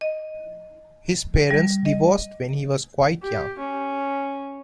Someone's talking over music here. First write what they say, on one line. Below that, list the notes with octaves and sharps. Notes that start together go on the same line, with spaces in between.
His parents divorced when he was quite young.
D#5
G3
D#5
G4
C#4